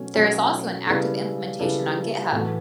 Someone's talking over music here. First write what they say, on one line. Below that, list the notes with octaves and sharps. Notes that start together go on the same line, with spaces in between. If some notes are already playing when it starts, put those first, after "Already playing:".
There is also an active implementation on Github.
Already playing: B2 F#3 A3 C#4
B2 F#3 A3 C#4
C#3 G3 B3 E4 A4
C#3 G3 B3 E4 A4
A2 E3 B3 F#4 A4